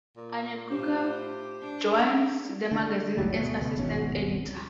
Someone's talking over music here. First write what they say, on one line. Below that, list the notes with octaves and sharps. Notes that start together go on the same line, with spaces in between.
Anne Coker joins the magazine as Assistant Editor.
A#2
A2 F4 G4 C5
D4
D3
G1 D2 F#3 G3
B2 G#3 A3
C#2 B2
D1 G#1 B2 C#4